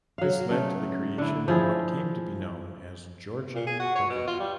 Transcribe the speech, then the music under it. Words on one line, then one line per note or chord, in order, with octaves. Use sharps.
This led to the creation of what came to be known as Georgian Dublin.
F#3 F5
C#3 A3
D3 E4
F3 E4 G#4
A#2
G#4
F#4
C#5
B2
F4
G3